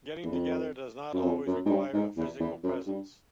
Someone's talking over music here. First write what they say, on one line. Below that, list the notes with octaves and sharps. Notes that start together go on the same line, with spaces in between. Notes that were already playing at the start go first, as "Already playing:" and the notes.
Getting together does not always require a physical presence.
E2
F2
F#2
F2
F#2
G#2
G2
G#2
E2
E2
F#2
G2